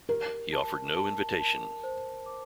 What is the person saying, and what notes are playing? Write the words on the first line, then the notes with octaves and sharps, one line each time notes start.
He offered no invitation.
G4 A#4
A5
A5
A5
C5
D6